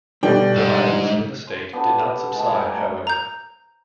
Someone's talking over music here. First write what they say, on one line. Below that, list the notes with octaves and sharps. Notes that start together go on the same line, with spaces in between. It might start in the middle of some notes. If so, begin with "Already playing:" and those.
The violence in the state did not subside, however.
B2 D3 G3 G5
G#2
C6
B3 D4 G4 A4
G#3 A5
G3 G#4 D5
A3 A#5
A#5 G6